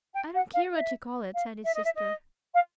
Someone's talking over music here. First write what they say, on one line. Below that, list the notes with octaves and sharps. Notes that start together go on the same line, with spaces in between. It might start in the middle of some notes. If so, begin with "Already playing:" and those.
"I don't care what you call it," said his sister.
G5
F#5
F5
E5
F5
E5
D#5
E5
D#5
F5